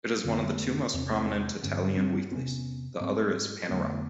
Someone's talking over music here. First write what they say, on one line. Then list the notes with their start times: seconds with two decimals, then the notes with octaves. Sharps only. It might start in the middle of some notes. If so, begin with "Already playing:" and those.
It is one of the two most prominent Italian weeklies; the other is "Panorama".
0.25 F2 D3 C4
0.33 B3
0.39 A#3
0.47 A3 B3
0.94 E2 C3 C4
1.03 C#4
1.12 A#3 C4
1.63 G2 D3 B3 C#4
1.97 C4 D4
2.32 E2 C3 B3 C#4
3.01 G#2 A#3 C4
3.69 F2 D3 A3 B3